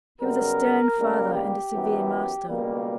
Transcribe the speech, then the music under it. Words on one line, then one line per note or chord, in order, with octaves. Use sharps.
He was a stern father and a severe master.
F#2 C#3 G3 B3 A#4
C#2 C#3 G3 A#3
G4
F#2 E3 B3
C#2 B2 G3 A#3